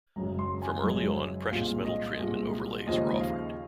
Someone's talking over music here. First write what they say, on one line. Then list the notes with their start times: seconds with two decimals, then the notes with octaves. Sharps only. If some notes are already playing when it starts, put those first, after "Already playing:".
From early on, precious metal trim and overlays were offered.
0.16 F#1 F#2 C#3 G#3 A#5
0.39 C6
0.62 G#5
0.84 F#1 F#2 C#3 G#3
1.51 C2 A#2 G#3 F5
1.85 D#5
2.19 C2 A#2 G#3
2.87 D#2 C#3 F3 G#3 D#5
3.21 F5